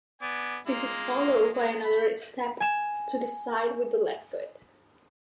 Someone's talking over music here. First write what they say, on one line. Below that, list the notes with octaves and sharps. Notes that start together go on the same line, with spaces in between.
This is followed by another step to the side with the left foot.
B3 D5 G#5
G#3 A#3 F4
G#3
B5
G#5 E7